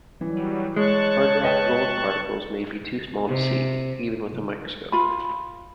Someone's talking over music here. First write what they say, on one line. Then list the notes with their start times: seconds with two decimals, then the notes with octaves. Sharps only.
Hardrock gold particles may be too small to see, even with a microscope.
0.21 E3 F#3 G3
0.76 G#3 C#5 A5 C#6 F#6
1.42 B4 D#5 G5
3.27 C3
4.92 F4 B5